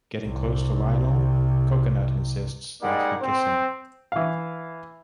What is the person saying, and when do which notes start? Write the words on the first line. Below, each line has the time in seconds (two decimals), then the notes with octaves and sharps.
Getting close to Lionel, Cocoanut insists that he kiss him.
0.25 C2 C3
2.82 G3 G#3 A#3 D#4 D5 F#5
3.22 C4 C5
4.12 E3 F5